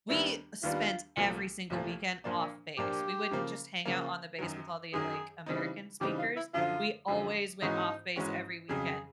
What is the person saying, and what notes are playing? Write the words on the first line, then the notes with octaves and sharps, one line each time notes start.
we spent every single weekend off-base. We wouldn't just hang out on the base with all the, like, American speakers; we always went off-base every weekend.
D#2 D#3 G3 B3 D4 E4
D#2 D#3 G3 B3 D4 F4
C2 A#2 F3 A3
C2 A#2 F3 A3
A#2 F3 A#3 D4
A#2 F3 A#3 D4 G4
C#3 F3 A#3
C#3 F3 A#3
F#2 D#3 F#3
F#2 D#3 F#3 G#4
C#3 E3 G3 C4 D#4
C#3 E3 G3 C4 D#4 G4
F4
E4
F#2 D3 F3 F4
F#2 D3 F3
G#2 E3 G#3 C#4 D#4 F#4
G#2 E3 G#3 C#4 F#4
F2 C#3 F#3 G#4